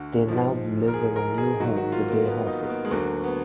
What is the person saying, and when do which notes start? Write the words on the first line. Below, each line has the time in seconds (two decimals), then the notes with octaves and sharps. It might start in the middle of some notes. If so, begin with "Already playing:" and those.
They now live in a new home with their horses.
Already playing: D2 D3 F#4
0.28 G#2 F3
0.88 A#4
0.94 G#4
1.16 A#4
1.38 G#4
1.60 G#2 D#3 F#3 F#4
1.76 F#4
1.92 F4
2.09 A#3
2.26 B3
2.47 D#4
2.64 B3
2.69 A#3
2.85 G#3
2.91 D2 D3 F#3 A#3
3.24 B3